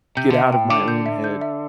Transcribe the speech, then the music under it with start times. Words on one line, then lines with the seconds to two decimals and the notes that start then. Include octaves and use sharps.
get out of my own head,
0.17 C3 G6
0.30 D3 E5
0.43 C3
0.53 A2 G5
0.70 D3 D6
0.88 G6
1.06 E5
1.24 G6
1.41 E5